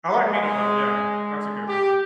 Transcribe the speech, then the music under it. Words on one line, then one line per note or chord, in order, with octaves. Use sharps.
I like peanut butter, yeah. That's a good one.
G#3
G4